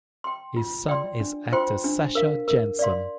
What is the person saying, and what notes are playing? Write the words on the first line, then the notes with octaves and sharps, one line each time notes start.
His son is actor Sasha Jenson.
G5 C6
F4
D5 G5 C6
D4
F4 C5 G5 C6
D4
A#4 F5
A#4
D5 F5 C6